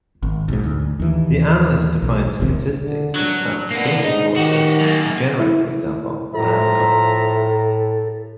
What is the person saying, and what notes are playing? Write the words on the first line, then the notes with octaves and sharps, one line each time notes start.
The analyst defines statistics in the classification process to generate for example land cover.
G#1
B1 G#2
D2
D#2 E3
B1
E1 A#1 D#2 C3
D3
F#3 D4
A#3 B3
G#2 D#4
D#3 F#4 G4
F#2 A#3
E4
A2 F3 A4 E5 A#5